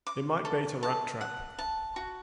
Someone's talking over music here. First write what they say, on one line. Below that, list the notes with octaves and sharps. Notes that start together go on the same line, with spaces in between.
It might bait a rat-trap.
D6
A4
A5
F#5
A5
F#4